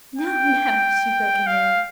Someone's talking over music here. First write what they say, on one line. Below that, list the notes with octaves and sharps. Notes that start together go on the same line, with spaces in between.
"No, no!" she broke in merrily.
G5
F5